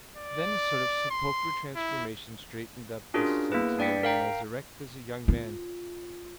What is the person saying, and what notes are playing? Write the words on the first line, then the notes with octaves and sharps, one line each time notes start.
Then a sort of sepulchral transformation straightened up this centenarian as erect as a young man.
D5
C6
E4
C#4 D4 F4 F#4 G#4 A#4
A#3 B3 E4 G#4 B4
D4 D5 G5 B6 C#7
A#4 F5 G5 A#5
F4